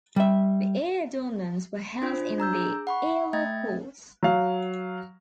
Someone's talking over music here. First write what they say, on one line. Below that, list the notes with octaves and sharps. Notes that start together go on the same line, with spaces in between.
The ear adornments were held in the earlobe holes.
G3 E5
D4 F4 C5
D4 A#5 E6 G6
G#4
F#5 B5 C#6
A3 E5 G5 G#6 A6
F#3 F5